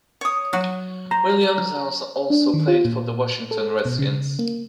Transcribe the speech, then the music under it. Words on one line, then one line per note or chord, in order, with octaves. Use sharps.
Williams has also played for the Washington Redskins.
C#5 D#6
F#3 F#4
C5 A#5
D4
D#3
F4
A#2
A4
B2
C#3
A#3